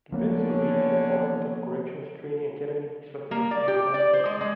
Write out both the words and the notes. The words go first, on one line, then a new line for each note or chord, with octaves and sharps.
The Pennsylvania Department of Corrections Training Academy is located in the township.
D3 F3 A#3 B3 C#4 C#5
A#3
D5
G4
D5
C5
G#3
G#3